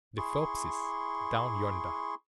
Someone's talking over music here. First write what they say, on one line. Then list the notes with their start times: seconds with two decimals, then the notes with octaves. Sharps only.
"The Phelpses, down yonder."
0.18 E4 G#4 C6 C#6